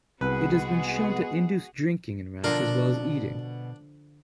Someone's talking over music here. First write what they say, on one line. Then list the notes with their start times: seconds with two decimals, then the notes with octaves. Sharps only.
It has been shown to induce drinking in rats as well as eating.
0.21 C2 G#3 B3 F#4 G#4 B4
2.44 B2 D3 F3 D4 A#4